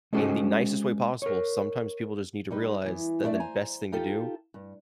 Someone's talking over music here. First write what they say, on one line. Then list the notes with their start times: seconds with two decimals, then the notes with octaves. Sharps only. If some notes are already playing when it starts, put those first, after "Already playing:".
In the nicest way possible, sometimes people just need to realize that the best thing to do
0.13 G#3 C#4 F#4 A4 C5 D#5
1.22 A#4 C#5
2.51 G3 D#4 B4
2.85 E3 B3
3.23 A3 D4 E4 A#4 D5 E5
3.40 C5 G#5 A#5
3.92 D#4 F4 G4 A4
4.54 G2